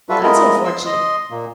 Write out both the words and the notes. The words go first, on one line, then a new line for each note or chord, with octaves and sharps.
well, that's unfortunate.
F4 F#4 A4 B4 E5
G#3 B3 E4 F4 A#4 D#5
C6 E6
D#5 C6
A#2 A#3